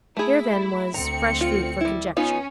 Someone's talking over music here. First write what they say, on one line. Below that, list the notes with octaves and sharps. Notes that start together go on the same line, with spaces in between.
Here then was fresh food for conjecture.
A3 E4 G#4
D2 C4 A#5 C#7
F4
G3 E4
B3 C#4 D#4 F4